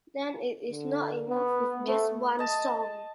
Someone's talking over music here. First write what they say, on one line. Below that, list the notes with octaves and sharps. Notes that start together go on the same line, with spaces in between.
Then it is not enough with just one song.
D3
B3
A3
D#5 A5